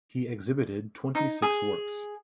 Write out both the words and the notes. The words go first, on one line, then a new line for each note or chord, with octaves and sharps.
He exhibited twenty-six works.
D#4
G#4